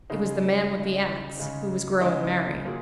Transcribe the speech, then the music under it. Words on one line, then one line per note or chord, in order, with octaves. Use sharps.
It was the man with the axe, who was growing merry.
C#3 G#3 D#4
C#3 G#3 D#4
C#3 G#3 D#4
C#3 G#3 D#4
F#3 A#3 F4 G#4